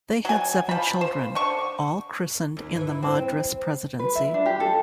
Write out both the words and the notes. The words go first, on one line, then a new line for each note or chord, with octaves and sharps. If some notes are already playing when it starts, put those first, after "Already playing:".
They had seven children, all christened in the Madras Presidency.
F#3 G#5
F3 B5
C5
D3 C#6
D#2
E3
E4
C4
B4
E5
D4
G4
A4